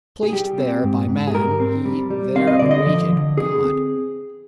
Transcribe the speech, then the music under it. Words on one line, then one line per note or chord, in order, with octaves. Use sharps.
Placed there by man, he there awaited God.
G#4
G3 G4
C4
G#2
G#2
G#4
G3 A#4
C4
G3
G3
C4 F5
D#5
D3 D5
D#5
F3
D3
D3 G#4
C4